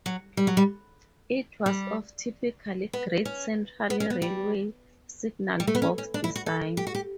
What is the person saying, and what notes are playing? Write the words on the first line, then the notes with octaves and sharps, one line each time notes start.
It was of typical Great Central Railway signal box design.
F#3
G3
F#3
G3
G3
B3
C#4
B3
C#4
B3
G3
G3
A3
B3
C#4
C#4
D4
E4
F#4
A4
G4
F#4
G4